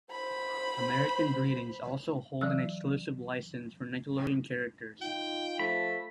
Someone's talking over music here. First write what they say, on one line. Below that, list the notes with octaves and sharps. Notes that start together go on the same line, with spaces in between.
American Greetings also holds an exclusive license for Nickelodeon characters.
C5 B5
E3 F#3 E6
D#4 F4 G5
F3 A3 B5